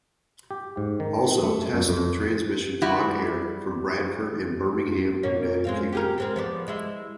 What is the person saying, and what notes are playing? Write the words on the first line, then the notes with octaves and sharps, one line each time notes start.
Also Test Transmission on air from Bradford and Birmingham United Kingdom.
G4
G#2
D#3
A3
F#2
F2
G3 E4 F#4
B2 A#3 C#4
G#3 C4 F5
G4 G#4 A#4
G#3 C4 A#4
F3 B3 D5
G#3 E4